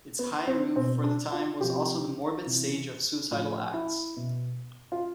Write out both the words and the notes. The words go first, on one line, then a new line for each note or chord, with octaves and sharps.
Its high roof for the time was also the morbid stage of suicidal acts.
B3
C4
B2 C4
D4
F4
C3 F3 G4
C3 E3
A2 F3 F4
E4
B2
F4